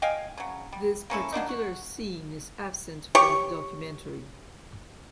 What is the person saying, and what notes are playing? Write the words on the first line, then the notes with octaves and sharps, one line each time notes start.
This particular scene is absent from the documentary.
D#5 F5 G5 G#5
C#3 F#3
G3
A#3 C#4 E4 A4
F#3 A#3 D4 D#4
F#4
G4 C#5 C#6